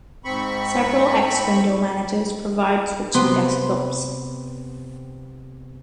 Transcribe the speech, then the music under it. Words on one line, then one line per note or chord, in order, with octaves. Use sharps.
Several X window managers provide switching desktops.
G#2 C4 B5 C#6
C3 B3 C6